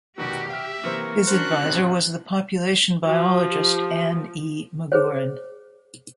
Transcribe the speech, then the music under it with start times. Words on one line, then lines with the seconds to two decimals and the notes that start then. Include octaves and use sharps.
His advisor was the population biologist Anne E. Magurran.
0.18 F1 B2 D#3 F#4 G4
0.50 E5 G5 F6
0.84 C3 E3 A#3 A#4 C5 C#6
1.27 C#4 D4 F#4 C5 F#6
1.63 G1 A2 C3 C4
3.06 F3 F#4
3.50 G4
4.92 G#4 C5 C#5